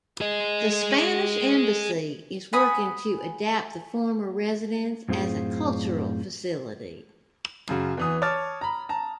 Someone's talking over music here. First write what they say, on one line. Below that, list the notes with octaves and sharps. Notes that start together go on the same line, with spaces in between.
The Spanish Embassy is working to adapt the former residence as a cultural facility.
G#4 D#5
F#5 G#5 B5 D#6
F#2 A2 C4 F4 G#4
F#2 C#3 F#4
E2 E3 D#6
C#5 A5 D6 F6 A6
A#5 B5
A5 A#5